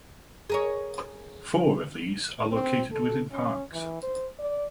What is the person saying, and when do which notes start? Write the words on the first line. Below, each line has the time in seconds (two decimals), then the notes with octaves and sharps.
Four of these are located within parks.
0.50 G#4 A#4 C#5
2.52 C4
2.92 A4
3.31 C#4
3.73 E3
4.03 C5
4.39 D5